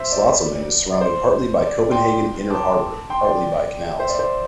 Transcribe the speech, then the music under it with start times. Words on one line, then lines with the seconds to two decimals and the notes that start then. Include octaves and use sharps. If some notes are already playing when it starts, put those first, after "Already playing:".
Slotsholmen is surrounded partly by Copenhagen Inner Harbour, partly by canals.
Already playing: C5 E5
0.12 D5
0.92 D5
1.01 C5
1.61 D5
1.91 G5 C6
2.50 A5 D6
3.10 G5 C6
3.25 D5 G5
3.99 C5 E5
4.09 D5
4.19 C5